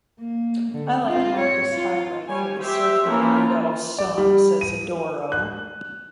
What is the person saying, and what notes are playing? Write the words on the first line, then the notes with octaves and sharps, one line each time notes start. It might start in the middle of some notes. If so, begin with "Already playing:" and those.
I like Markus Highway for the Surfernando song, says Adoro.
A#3
D3
C4 F4
C#5
F4
G3 C#5 G#5
G4 C5 E5
E3 F3 A#3 C#4 E4 A#4
F4
D5
G3
D#7
F#6